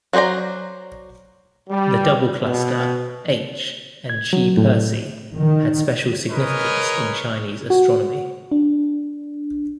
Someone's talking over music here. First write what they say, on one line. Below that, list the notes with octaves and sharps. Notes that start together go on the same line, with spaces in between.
The Double Cluster, h and Chi Persei, had special significance in Chinese astronomy.
F#3 F#4 C5 D5 A#5
G3
B2
G#6
F#3
A2
D#3
G#4 A#4 B4 C#5 D#5
F#4
D4